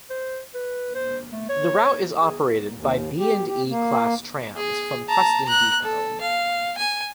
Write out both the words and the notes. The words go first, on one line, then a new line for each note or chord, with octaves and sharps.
The route is operated by B and E class trams from Preston depot.
C5
B4
C5
A3
C#5
G#4
D#2
G4
G4
A#3
G#4
A5 A#5
A#5 F#6
A4
F5
G#5